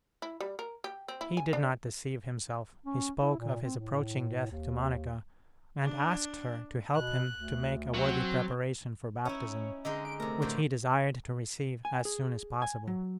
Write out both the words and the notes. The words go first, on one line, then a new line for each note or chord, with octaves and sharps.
He did not deceive himself. He spoke of his approaching death to Monica, and asked her to help him to make a worthy preparation for Baptism, which he desired to receive as soon as possible.
E4
G3
A#4
G4
C4
E4
G#5
D4
C#4
E4
A#2
C4
A2
D#2
D4
B2 F#6
D2
F#3 C4
C#4 D#4 E4 C#5
D3 G#3 D#4 D#5
D7
C3 A3 A#4
A2 D3 C5
G#5
G#4
G#5
F#3